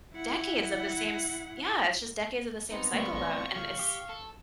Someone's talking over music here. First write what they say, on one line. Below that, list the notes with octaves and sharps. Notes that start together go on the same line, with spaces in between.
decades of the same s yeah, it's just decades of the same cycle, though, and it's
E4 F#5
B3 C4 D#4 C#7
D2 G3 A3 A#3 C#6
A1 A2 D4
C#3 F3 F5
G4 D6
A4